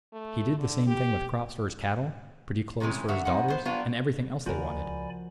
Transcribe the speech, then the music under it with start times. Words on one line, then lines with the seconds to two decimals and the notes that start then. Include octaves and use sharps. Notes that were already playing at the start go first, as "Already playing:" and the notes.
He did the same thing with crops for his cattle, pretty clothes for his daughters, and everything else they wanted.
0.13 A3
0.58 D3
0.87 G4
2.80 C3 D#3 E3 G#3 C#4
3.08 D3 F#3 F#4 E5
3.25 B2 C4 D#4 F#5
3.48 B3 C5
3.65 F#3 G3 B3 D4 F4 B4
4.46 C#2 F3 F#4 A#4 D5 G#5 B5